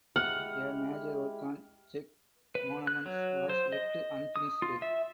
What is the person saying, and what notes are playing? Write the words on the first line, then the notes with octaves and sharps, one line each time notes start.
A major work on Czech monuments was left unfinished.
G#3 E4 G4 F#5 F6
B4
F#6
F#3
C5
D#5
D#6
F4
E5